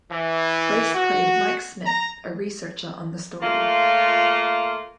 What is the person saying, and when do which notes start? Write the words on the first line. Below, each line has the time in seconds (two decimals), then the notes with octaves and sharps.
Grace played Mike Smith, a researcher on the story.
0.11 E3
0.94 F#4
1.85 A#5
3.42 A3 A#3 F4